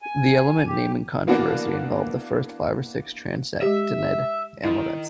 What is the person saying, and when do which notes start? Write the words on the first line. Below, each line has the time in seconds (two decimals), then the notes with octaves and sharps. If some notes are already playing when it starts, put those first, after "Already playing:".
The element naming controversy involved the first five or six transactinide elements.
0.02 G#5
0.67 G4
1.27 E3 A#3 B3 D4 F#4
3.62 G#3 G4 E5
4.64 D#3 E4